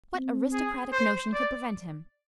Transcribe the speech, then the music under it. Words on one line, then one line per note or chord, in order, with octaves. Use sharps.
What aristocratic notion could prevent him?
C4
G#4
C5
D5